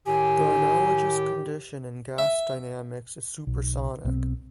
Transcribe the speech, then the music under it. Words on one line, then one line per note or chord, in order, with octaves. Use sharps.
The analogous condition in gas dynamics is supersonic.
A2 D#3 G4 G#5
E5
B1
B1 B2 D#3 C4